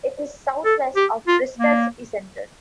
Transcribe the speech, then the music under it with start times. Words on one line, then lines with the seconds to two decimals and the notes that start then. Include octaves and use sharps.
It is southwest of Bristol city centre.
0.65 A4
0.96 G4
1.27 F4
1.58 A#3